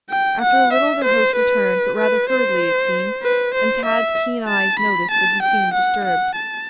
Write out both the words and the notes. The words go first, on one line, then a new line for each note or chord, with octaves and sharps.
After a little their host returned, but rather hurriedly, it seemed, and Tad's keen eyes noticed that he seemed disturbed.
G5
F#5
E5
C5
B4
B4
C5
B4
C5
E5
A5
B5
A5
G5
F#5
F#5
A5